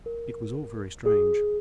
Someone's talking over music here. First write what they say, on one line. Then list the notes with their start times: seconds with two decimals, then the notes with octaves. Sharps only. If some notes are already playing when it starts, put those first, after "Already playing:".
It was all very strange.
0.06 A#4
1.06 G#4